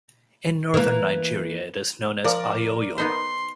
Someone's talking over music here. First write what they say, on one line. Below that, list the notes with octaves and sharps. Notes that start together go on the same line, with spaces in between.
In Northern Nigeria it is known as "Ayoyo".
E3 A#3
F3 A#4 D5
B3 D#4 C5 C6